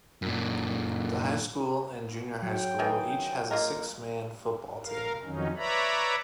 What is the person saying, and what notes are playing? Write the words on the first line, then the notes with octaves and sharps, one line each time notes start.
The high school and junior high school each has a six-man football team.
F#2 A#2
F#3 G5
D#3 E3 G#4
A#3 F4 A#4 D#5
A#4 F5
F2 D#3 F#3 C#4 D#4
B4 C#5 D5 E5 A#5 B5